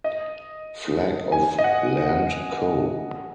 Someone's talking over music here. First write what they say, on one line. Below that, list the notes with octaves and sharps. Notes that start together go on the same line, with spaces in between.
Flag of Land Co.
D#5
G#5
D#5
F#5